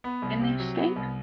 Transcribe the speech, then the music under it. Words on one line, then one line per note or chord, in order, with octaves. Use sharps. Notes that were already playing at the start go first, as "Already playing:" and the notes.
Can they escape?
B3
C2
C3
F#3
B3
C2